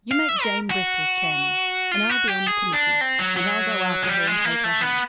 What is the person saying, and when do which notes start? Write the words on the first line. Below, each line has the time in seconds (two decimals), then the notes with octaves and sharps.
You make Jane Bristol chairman, and I'll be on the committee; and I'll go after her and take her home.
0.11 F5
0.29 E5
0.42 A#4
0.71 F#4
1.92 F4
2.09 F#4
2.28 G4
2.47 G#4
2.73 D4
3.01 C4
3.19 F#3
3.37 F#3
4.02 G#3
4.09 G3
4.27 G#3
4.45 A#3
4.64 A3
4.81 B3